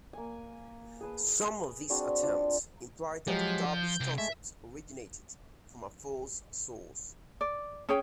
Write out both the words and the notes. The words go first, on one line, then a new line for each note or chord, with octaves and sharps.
Some of these attempts imply that Darby's concepts originated from a "false" source.
A#3 G#5
G#4 B4 A5
C4 D4 F#4 G#4
D4 F4
F3 F#3 G#3 G4
G6
C3 A#4
G#3 A3 E5
D5
C#4 G#4 C#5 G5